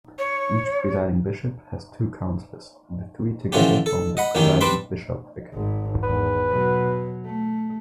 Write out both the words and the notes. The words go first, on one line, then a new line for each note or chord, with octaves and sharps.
Each Presiding Bishop has two counselors; the three together form the Presiding Bishopric.
C#5
D3 E3 F3 C#4 G4
A4
D#5 F#5 B5
A1 E2 D#3 C#4 G4
G3 C4 D4 B4 B5 C6
G#1 G#2
G#1 E2 B4
B2 F#3
A3